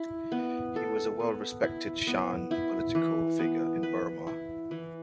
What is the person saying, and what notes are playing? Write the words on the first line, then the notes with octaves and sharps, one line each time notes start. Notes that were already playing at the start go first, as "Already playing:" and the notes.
He was a well-respected Shan political figure in Burma.
Already playing: E4
B3
A4
B3
E4
B3
E4
E3
B3
B4
E4
E3